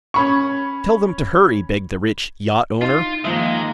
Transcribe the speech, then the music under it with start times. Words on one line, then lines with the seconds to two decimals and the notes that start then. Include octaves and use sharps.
"Tell them to hurry," begged the rich yacht owner.
0.14 C#4 B5 C#6
2.81 D#4 F4
3.25 D#3 F3 G#3 A#3 E5